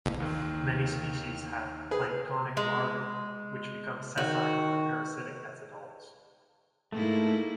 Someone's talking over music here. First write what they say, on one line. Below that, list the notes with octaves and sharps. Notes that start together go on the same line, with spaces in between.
Many species have planktonic larvae which become sessile or parasitic as adults.
D#2 D#3
G#4 B4
G#3
D#3 F#4
G#2 A3 A#3 E4